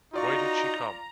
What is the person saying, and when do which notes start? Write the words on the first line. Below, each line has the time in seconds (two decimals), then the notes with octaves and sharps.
Why did she come?
0.13 D#4 F4 F#4 D5 A#5 C#6